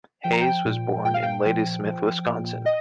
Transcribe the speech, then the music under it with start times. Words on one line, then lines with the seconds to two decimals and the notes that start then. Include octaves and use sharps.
Hayes was born in Ladysmith, Wisconsin.
0.24 F3 G5
0.33 A#5
0.41 G5
0.65 A#2
1.05 A#2 G5
1.14 F5
1.23 G5
1.46 F3
1.85 F3
2.26 A#2
2.66 D#5